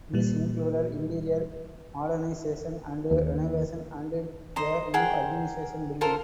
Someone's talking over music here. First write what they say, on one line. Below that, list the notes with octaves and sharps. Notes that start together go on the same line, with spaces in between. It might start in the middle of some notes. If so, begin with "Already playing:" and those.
This included interior modernisation and renovation and a new administration building.
A#2 G3
D#2
C5 D#5 A#5
G#4 A#4 F#5 G5
F4 A4 A#4 C5